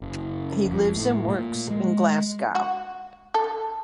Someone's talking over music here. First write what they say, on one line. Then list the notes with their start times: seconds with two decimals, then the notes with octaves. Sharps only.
He lives and works in Glasgow.
0.02 F#1
0.66 F2
0.96 A2
1.28 A#2
1.70 G#3
2.55 F#4
3.34 A4